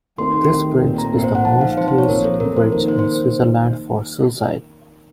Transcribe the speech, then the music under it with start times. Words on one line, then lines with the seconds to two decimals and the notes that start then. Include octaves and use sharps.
This bridge is the most used bridge in Switzerland for suicide.
0.18 D#3 A3 C4 D#4 A#4 C6
0.50 D#3 A3 C4 D#4 A#4
0.82 A#2 A3 C4
0.98 A#5
1.13 A#2 A3 C4
1.24 C5
1.35 F#5
1.45 F3 C4 D#4 A5
1.61 F5
1.77 F3 C4 D#4 C5
1.88 C5
1.98 C#5
2.08 A#2 F3 C4 A#4
2.24 A4
2.40 A#2 F3 C4 A#4
2.56 C5
2.72 D#3 A#3 D#4 A#4
2.88 C5
2.99 C5